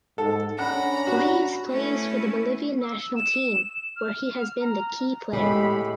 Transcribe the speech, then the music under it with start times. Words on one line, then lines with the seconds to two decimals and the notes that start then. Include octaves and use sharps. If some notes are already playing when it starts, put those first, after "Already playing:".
Reaves plays for the Bolivian national team where he has been the key player.
0.18 G#2 A4
0.59 C#4 D4 F#5 A#5 B5
1.07 F#4
1.70 A3 C#4 E4 B4
2.81 E6
3.16 E7
3.96 F6
4.61 A#5
5.33 A2 G#3 G4 B5